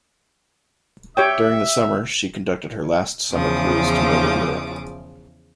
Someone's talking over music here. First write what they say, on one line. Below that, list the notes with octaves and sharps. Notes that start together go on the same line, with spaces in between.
During the summer, she conducted her last summer cruise to Northern Europe.
G4 C#5 E5 G5 E6
E2 C#3 E3 F3 D6 D#6